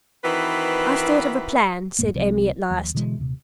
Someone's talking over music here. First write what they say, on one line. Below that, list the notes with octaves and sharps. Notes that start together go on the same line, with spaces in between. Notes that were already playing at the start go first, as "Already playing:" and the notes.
"I've thought of a plan," said Emmy at last.
D#3 E3 C4 F#4 B4
D#1 A#1 G2 A#3
C2 C3 F3 F#3
D#2 F3
B2 D3 E3 G#3
D#1 C3